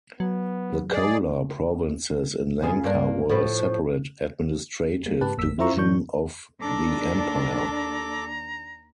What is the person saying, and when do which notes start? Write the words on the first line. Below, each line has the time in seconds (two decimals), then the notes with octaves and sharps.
The Chola provinces in Lanka were a separate administrative division of the empire.
0.20 F#3 B3
0.93 G#4 D5 D#5
2.62 C#3 F4 G#4
2.84 G2 A#3 D4
3.29 A2 F3 E4
5.06 G3 G#3 A#3
5.21 G#2 G4 B4 A5 F#6
5.38 A1 F2 A#3 E6 B6
5.59 E4 F4 C5 E5 A#5 C#6
5.76 A2 E3 F#3 D4 C#6 G6
6.62 D#2 D4 A4 A#5 D6